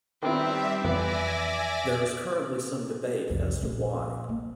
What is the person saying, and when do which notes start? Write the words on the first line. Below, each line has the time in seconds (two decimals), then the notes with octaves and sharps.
There is currently some debate as to why.
0.23 D#3 G3 B3 C4 E4 E5
0.84 F2 E3 B3 D5 E5 G#5 A#6
3.29 C2 F2
3.63 A#1 C#4
4.29 A#3